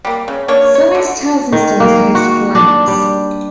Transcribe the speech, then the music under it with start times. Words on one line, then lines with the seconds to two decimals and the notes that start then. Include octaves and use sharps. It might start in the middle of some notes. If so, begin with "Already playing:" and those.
Seven star systems host planets.
0.05 G3 A#3
0.28 C#3
0.48 A#3 D4 C#5
0.75 C#5
0.95 D3
1.52 D#3
1.80 A#3
2.15 F#4
2.55 D4
2.88 G3